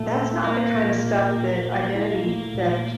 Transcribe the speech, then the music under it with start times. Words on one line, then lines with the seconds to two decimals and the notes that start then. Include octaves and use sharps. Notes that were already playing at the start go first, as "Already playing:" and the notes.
that's not the kinda stuff that identity theft
Already playing: A#2 A3
0.14 C4
0.44 G3 A#3
0.74 A#2
1.04 A#2
1.34 A#2
1.65 A#2
1.95 E4
2.25 A3
2.55 A#2